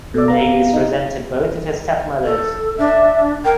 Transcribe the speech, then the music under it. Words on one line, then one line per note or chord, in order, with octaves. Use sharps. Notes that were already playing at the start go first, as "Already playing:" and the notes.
Davis resented both of his stepmothers.
B2 A4 D5
B3 F5 A#5
D#4
A4
D4 E5
A#4 G5